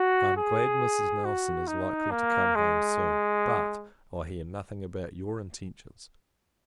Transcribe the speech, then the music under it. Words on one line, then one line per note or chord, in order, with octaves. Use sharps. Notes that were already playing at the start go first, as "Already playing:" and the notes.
I am glad Mrs. Nelson is likely to come home soon; but, I hear nothing about your intentions.
Already playing: F#4
G#4
F#4
D#4
A#3
G#3